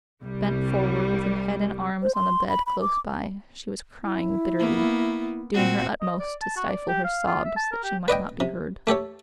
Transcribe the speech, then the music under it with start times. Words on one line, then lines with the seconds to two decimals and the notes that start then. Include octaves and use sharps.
Bent forward, with her head and arms on the bed close by, she was crying bitterly, doing her utmost to stifle her sobs that she might not be heard.
0.23 C2 G3
2.03 C5
2.15 C6
2.49 B5
2.67 B5
2.82 D6
4.04 E4
4.58 A#3 B3
5.54 A#2 C4 F#4
6.01 D#5
6.20 D5
6.42 A5
6.56 F#4
6.69 D5
6.88 G4
7.04 F5
7.27 F4
7.44 E5
7.56 A5
7.72 A#4
7.84 G4
8.08 B4 D5 D#5 G5
8.40 C3
8.87 A3 G4 A4 C#5